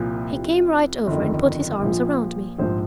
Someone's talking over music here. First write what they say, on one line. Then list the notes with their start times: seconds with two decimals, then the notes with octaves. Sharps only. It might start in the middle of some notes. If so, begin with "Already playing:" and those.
He came right over and put his arms around me.
Already playing: C2 A#2 F3
0.31 C2 C3 F3
1.07 G1 F2 D#3
1.83 A#1 A#2 F3
2.59 A#1 G#2 F3 C5